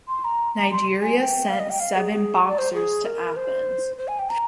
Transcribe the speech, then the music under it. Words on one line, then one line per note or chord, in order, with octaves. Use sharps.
Nigeria sent seven boxers to Athens.
C6
A#5
A#5
C6
G#5
G#5
G5
F5
D#5
G5
F5
G#4
G#4
D5
C5
G#4
A#4
C5
C5
G#5
G5
A#5